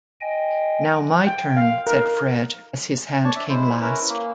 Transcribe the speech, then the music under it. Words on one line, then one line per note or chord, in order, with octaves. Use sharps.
"Now my turn," said Fred, as his hand came last.
D#5 G5 G#5
G5
F5
A#4
D4 C#5 A5
D4 E5
G#3 E4 C5
C#4 E4 A#4 B4
A#3